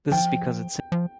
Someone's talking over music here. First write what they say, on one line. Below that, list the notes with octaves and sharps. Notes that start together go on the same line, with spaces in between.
This is because it symbolizes good luck and prosperity.
F3 G5
F3